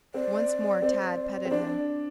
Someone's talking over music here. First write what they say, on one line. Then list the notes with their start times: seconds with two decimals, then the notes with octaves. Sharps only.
Once more Tad petted him.
0.14 C4 D5
0.82 C4
1.45 C4
1.51 D4 D5